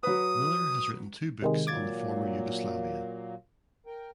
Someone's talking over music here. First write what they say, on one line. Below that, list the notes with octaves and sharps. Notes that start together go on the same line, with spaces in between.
Miller has written two books on the former Yugoslavia.
F#3 B4 D#6
C3 D#3 G#3
A#2 F#3 A#3 D6 G#6 A6
A#4 G5